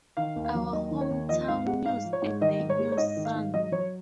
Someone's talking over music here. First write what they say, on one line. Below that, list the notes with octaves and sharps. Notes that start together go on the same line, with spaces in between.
Our Hometown News and the News-Sun.
D#3 F5
D#2
F5
F#3
D#2 D#5
D#3
C#5
D#2
F3 D#5
G#2 F5
G#3 F#5
G#2 F5
F3
C#5
G#2
D#3 D#5
G#2
C#5
G#3
C#5
G#2 D#5
D#3
F5
G#2
F#3 D#5
F#3 C#5